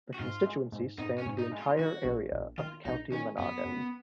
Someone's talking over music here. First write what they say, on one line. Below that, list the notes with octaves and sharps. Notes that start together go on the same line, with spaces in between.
The constituency spanned the entire area of the County Monaghan.
F#4
G#2 F4
G#3
G#2
G#2 D#4
C#4
G#2
D#4
G#3
F4
D#3 F#4
A#1
A#1
D#3 F4
A#1 D#4
D#3 C#4
F#2 B3
F#2